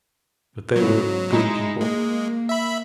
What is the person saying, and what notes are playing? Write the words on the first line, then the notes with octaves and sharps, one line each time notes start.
But they were "good people".
G#2 C#3 F#3 B3
G#3 D#4 E4
G#3 A#3
E5 B5